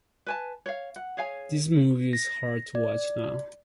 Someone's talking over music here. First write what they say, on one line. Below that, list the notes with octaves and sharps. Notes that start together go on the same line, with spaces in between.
This movie's hard to watch now.
B4 G#5 A5
C#5 F5
F#5
G#4 C#5 F5 G#5
A#6
D5